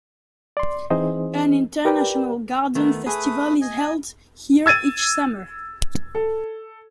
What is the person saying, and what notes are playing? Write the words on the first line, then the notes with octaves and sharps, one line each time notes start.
An International Garden Festival is held here each summer.
D5 C6
E3 C4 D#4 G#4 C5 D#5
G4 A#4 B4 D5 G5
D#3 A3 B3
A3 G#4 B4 D#6
D#5 G#5
E6 G#6 A6 D#7
A4